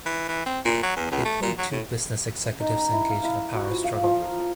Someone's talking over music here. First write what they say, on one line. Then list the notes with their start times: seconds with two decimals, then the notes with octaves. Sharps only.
They played two business executives engaged in a power struggle.
0.06 E3
0.29 E3
0.46 C4
0.65 A#2
0.83 F#3
0.97 E2
1.12 C#2
1.25 A3
1.43 A#2
1.58 F#3
1.72 A2
2.60 D#4
2.76 A#5
2.92 E4
3.10 F5
3.23 E4
3.55 F#4
3.70 F3
3.84 F5
4.04 F3
4.21 A#4
4.39 A5